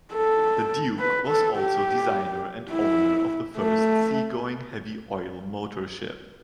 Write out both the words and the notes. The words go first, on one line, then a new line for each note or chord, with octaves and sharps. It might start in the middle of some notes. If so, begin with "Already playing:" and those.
The Duke was also designer and owner of the first seagoing heavy oil motorship.
A4
B4
A4
G4
E4
A3